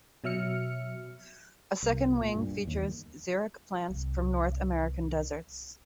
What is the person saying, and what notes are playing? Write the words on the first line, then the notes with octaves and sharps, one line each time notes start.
A second wing features xeric plants from North American deserts.
B2 F#3 E5 F6 C#7
C2
A#2
G2
D#2
C2 C4